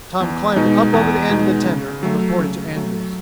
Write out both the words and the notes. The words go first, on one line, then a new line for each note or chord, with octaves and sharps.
Tom climbed up over the end of the tender and reported to Andrews.
E2
B2 G#3 D#4
E2
B2 G#3 D#4
C#3
F#3 A3
C#3
F#3 A3